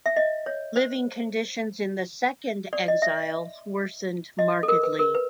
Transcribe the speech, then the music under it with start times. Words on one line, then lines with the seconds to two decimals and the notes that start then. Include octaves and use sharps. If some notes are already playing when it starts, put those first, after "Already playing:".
Living conditions in the "second exile" worsened markedly.
0.06 E5
0.16 D#5
0.46 C#5
0.76 C5
2.73 D5
2.88 D#5
3.02 E5
4.39 D#5
4.63 A4
4.68 A#4
4.83 B4
4.99 A#4
5.15 B4